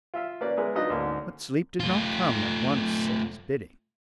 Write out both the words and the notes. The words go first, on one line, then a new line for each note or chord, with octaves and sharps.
But sleep did not come at once at his bidding.
F4 E5 F5
A#3 C#4 B4 D5
G#3 B3 E4 G#4 A#4
F#3 D4 D#4 F4 B4 D#5
D2 G#2 A#3 C#4
A3 F4